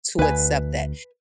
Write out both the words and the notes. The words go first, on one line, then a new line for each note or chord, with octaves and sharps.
to accept that;
D2 B4 G#5